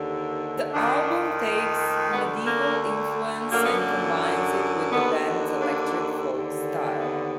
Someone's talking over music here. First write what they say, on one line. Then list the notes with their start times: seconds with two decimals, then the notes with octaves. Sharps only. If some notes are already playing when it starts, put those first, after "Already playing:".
The album takes medieval influence and combines it with the band's electric folk style.
Already playing: D#2 D3
0.73 F2 D#3 D4
2.12 D2 D3 B3
2.47 A#3
3.51 F#2 D3 A#3
3.66 B3
3.79 A#3
4.91 D#2 D3 B3
5.61 D4
6.31 D#2 D3
7.00 B3